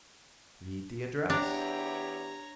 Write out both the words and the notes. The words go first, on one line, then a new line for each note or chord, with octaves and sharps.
"Read the address."
E2 D4 G4 C#5 A#5